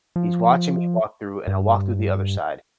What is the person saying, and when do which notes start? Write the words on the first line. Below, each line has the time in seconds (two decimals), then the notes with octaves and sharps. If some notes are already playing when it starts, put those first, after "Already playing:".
he's watching me walk through, and I walk through the other side,
0.16 F3
1.47 G2